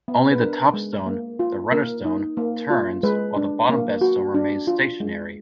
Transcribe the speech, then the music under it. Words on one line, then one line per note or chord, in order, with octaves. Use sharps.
Only the top stone, the runner stone, turns, while the bottom bedstone remains stationary.
B3
B4
D4 A#4
G#3
A#3
F4
A#3 A#4
D#4
A#3
F4
G#3 B4
D4
A#3
F#4
D4
F4
G#3